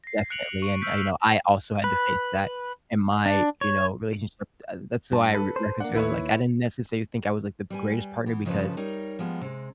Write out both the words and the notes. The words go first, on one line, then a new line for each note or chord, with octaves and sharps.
definitely, and, you know, I also had to face that in my, you know, relationship, uh, that's why I re reference her. Like, I didn't necessarily think I was, like, the greatest partner because,
A#6 C7
F#6 C#7 D7 F7 F#7
C#6 D7
E6 F6 G6 B6 D7
B4
D4
C#5
G2 A5
A4 B4
C5
A#3 D4 F#5
D#2 E4 B4 C#5
G3 B4 G#5
E3 B3
F2 C#3 F3 A4 B4
G3 D#4 A#4 C#5
F3 G3 G#3 B3
C3 G#3